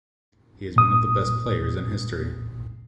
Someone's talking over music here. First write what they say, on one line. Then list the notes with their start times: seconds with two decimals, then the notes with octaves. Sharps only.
He is one of the best players in history.
0.76 A#2 D#6